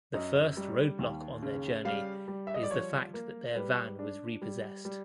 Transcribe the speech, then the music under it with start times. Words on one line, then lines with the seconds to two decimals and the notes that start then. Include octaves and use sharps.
The first roadblock on their journey is the fact that their van was repossessed.
0.14 F#2 D#5
0.57 G3
0.99 D#2
1.43 C#3
1.85 G3 F5
2.28 G3
2.47 E5
2.54 D#5
2.63 D5
2.71 F3 C#5
3.14 A#3
3.55 G3 B4
3.99 D4
4.42 G3
4.85 G3